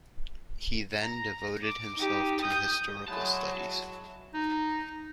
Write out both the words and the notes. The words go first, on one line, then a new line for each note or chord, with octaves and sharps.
He then devoted himself to historical studies.
A#5
D6
D#4 G4
D#6 G6
F#3 G#3 E4 F#4 F#5 A5
D#4